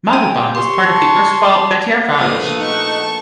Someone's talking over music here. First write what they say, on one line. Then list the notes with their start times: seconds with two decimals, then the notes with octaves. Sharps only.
Madhuban was part of the erstwhile 'Bettiah Raj'.
0.13 C#5 G5 G#5
0.55 G4 C6 C#6
0.85 A5
2.20 A#1 A3 B4 F5 D#6
2.60 A#1 D#4 F#5 A5 C#6